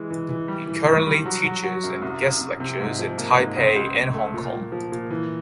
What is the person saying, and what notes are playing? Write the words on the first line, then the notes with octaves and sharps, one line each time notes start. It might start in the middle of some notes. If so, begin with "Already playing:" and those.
He currently teaches and guest lectures in Taipei and Hong Kong.
Already playing: E3 G#3
E3
E3
G3
E3
G2
G3
F#3
F#3
F#3
F#2
C2
C2
C2
C3
G#2
F3
A#3
G#2
C#2
C#2
C#2
A3
A#2
A#2
F3
A#2
E3